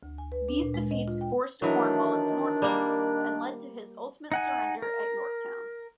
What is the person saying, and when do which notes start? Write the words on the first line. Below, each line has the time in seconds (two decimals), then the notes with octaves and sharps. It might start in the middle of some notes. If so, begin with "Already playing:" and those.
These defeats forced Cornwallis northward, and led to his ultimate surrender at Yorktown.
0.03 D2
0.18 G#5
0.32 B4
0.48 D4
0.61 A#2
0.74 G#3
0.91 D#5
1.08 F4
1.21 G5
1.62 D#3 E3 F#3 D4
2.62 G3 A#3
4.32 D#4 F#5 G#5
4.82 A#4